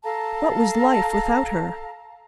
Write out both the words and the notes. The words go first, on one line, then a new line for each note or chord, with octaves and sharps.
What was life without her?
A4 F5 A5 A#5